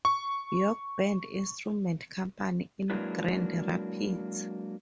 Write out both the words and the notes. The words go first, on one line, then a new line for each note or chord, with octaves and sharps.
York Band Instrument Company in Grand Rapids.
C#6
F#3 G#3 A#3 D4 E4 B4